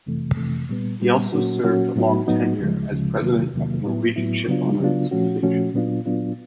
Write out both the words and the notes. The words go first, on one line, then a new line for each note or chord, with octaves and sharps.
He also served a long tenure as president of the Norwegian Shipowners' Association.
F2 C3 E3 A3
F2 C3 E3 A3
A#2 G3 B3
A#2 G3 B3
A#2 F#3 A#3 C#4 F#4
A#2 F#3 A#3 C#4 F#4
A2 F#3 B3 D#4 F#4
A2 F#3 B3 D#4 F#4
D2 C#3 F3 G#3
D2 C#3 F3 G#3
E2 C3 D#3 F#3 A#3
E2 C3 D#3 F#3 A#3
A2 F#3 B3 E4
A2 F#3 B3 E4
C#3 F#3 B3 D4 F4
C#3 F#3 B3 D4 F4
A#2 F3 A3 C#4 F#4
A#2 F3 A3 C#4 F#4
A#2 F#3 B3 D4 F4
A#2 F#3 B3 D4 F4